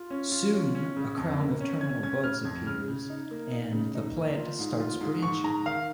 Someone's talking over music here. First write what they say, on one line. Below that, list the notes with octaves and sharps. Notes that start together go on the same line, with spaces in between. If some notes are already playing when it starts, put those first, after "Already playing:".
Soon a crown of terminal buds appears and the plant starts branching.
Already playing: F4
C#4
F4
C#4
C#4
C#3
F2
A#3
C#4
C#4 G#6
C#4 G#6
C#3 F6
F2 G#6
C#3 F6
C#3
D#4
A#3
D#4
C#3
D#4
A#3
F4
G#2
F4
G#2
G#2 C#6
G#2 A#5
D#3 F5